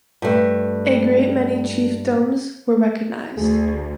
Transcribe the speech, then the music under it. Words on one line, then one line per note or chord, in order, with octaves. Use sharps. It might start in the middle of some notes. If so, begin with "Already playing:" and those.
A great many chiefdoms were recognized.
G2 A3
D2 A3 G#4